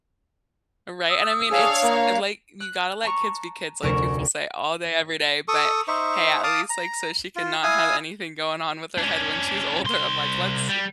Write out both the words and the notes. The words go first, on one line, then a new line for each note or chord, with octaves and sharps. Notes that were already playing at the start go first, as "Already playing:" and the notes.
Right, and I mean, it's, like, you gotta let kids be kids, like people say all day, every day, but hey, at least, like, so she can not have anything going on with her head when she's older, I'm like, "Let's
D#6 E6
D4 G#4 C#5 F5
A#3
F#6
A5 A#5 C#6
F1 D2 A#4 C#6 E7
A4 C#6 D#6
D#4 C5 E5 C#6
F5 A5 D6 D#6
A#5
F4
E4 F5 G#5 D#6
C#4 D4
C2 C6
G3